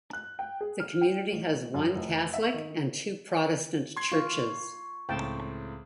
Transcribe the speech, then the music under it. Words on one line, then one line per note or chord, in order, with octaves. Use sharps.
The community has one Catholic and two Protestant churches.
F#6
G5
G#4
F6
G5
A1
F#2
F1
E5
D#3
C6 G#6 C7
F4 C#6
C#2 A2 C4 G5 A5